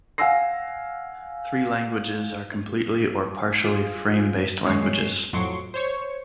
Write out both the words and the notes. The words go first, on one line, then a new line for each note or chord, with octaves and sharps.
Three languages are completely or partially frame-based languages.
F5 F#5 G#5 E6 A#6 C7
F4 G#4
D#2 G#3 C#5 C7
F2 A2 F#3 C6 C#6 D7
C5 C#5 C#6